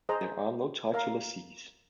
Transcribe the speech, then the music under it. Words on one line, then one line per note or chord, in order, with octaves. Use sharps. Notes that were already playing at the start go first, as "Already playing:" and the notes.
There are no titular sees.
G#4 C5 D#5 A#5
A#4 F5 A#5